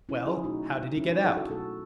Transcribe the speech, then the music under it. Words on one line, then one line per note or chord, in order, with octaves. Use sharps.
"Well, how did he get out?"
C#4 E4
E4 G#4
B2 F#3 A3 D#4 F#4
C#3 G#3 C#4 E4
D#4 F#4
E4 G#4
F#4 A4
B2 F#3 A3 F#4 A4